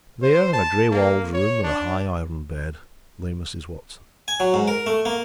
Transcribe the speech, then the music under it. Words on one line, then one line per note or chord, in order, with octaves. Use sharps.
There, in a gray-walled room in a high iron bed, lay Mrs. Watson.
C5
A5
A#3
C#5
D4
G#5
F#3
G#2
A#4
A3
A#3